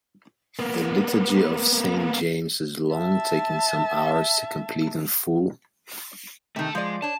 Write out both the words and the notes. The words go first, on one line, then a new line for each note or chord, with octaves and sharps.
The "Liturgy of Saint James" is long, taking some hours to complete in full.
A#3 B3
E5 A5
C3 D#3 A3 A4
F3 G#3 D5
D4 C#5 A5